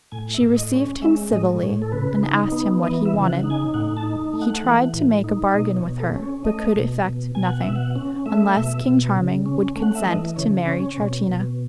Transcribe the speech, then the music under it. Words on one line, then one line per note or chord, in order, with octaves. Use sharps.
She received him civilly, and asked him what he wanted. He tried to make a bargain with her but could effect nothing, unless King Charming would consent to marry Troutina.
A2 G#5
E5
A2
D#5
C#4
C#5
G#3 E5
A2 D#5
A2 C#5
A4
C#3 B4
D#4
B3
E3 D#5
E5
C#3
F#5
D#4
G#5
A2 F#5
A5
D#4
A3
F#5
E3
A2
D#4
B2 D#5
C#5
B2
A4
C#4
C#5
A3 D#5
B2
B2
B2 G#5
F#5
B2 E5
F#5
C#4
A3 E5
B2
B2
C#3
C#4
A3
F#5
E5
E3 D#5
C#3 C#5
C#4 C#5
B2
B2